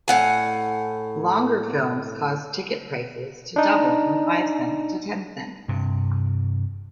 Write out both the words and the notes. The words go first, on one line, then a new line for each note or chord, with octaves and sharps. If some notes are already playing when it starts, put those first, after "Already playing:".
Longer films caused ticket prices to double from five cents to ten cents.
A2 F#5 G#5
D4 D#4
G2 C3